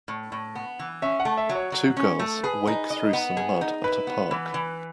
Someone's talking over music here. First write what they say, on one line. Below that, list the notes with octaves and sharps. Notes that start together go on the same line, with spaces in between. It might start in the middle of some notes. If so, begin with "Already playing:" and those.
Two girls wake through some mud at a park.
A2
A2
B3
E3
C#4 E5
F#5
A3
E5
F#3
C#5
F#3
C#4
A3
G#4 B4
D#4
D#5
B3
G#4
D#4
E4 B4
B3
E3
E3